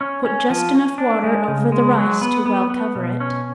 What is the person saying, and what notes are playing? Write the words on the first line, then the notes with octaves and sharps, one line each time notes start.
Put just enough water over the rice to well cover it.
C#4
C#4
F3
C#4
D4
G#3
C#3
G#3
F#3
B3
B3
B3
B2
C#4